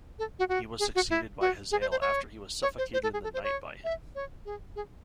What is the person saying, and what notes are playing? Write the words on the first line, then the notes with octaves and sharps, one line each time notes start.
He was succeeded by Hazael after he was suffocated in the night by him.
A4
F#4
F#4
G#4
F#4
E4
F#4
G#4
C5
C5
C#5
C#5
C5
C5
A4
G#4
A4
C5
C#5
E5
C#5
G#4
G#4